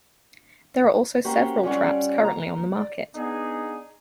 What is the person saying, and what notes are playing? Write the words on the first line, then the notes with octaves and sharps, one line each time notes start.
There are also several traps currently on the market.
A#3 C#4 F#4 G4 C5
G3 C#4 F4 C#5 F#5
A#3 A#5
D5
B3 D4 D#4 G#4